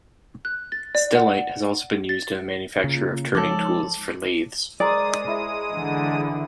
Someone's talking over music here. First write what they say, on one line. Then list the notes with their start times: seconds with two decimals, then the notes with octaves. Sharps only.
Stellite has also been used in the manufacture of turning tools for lathes.
0.45 F#6
0.72 A6
0.95 D5
1.15 F#5
2.09 A6
2.84 C#3 A#3 F4
3.35 F3 G#3 D#4 A4 C#5 D5
4.80 G#3 G#4 A#4 C5 D5 D#6
5.28 E4 D#5
5.74 D3 E3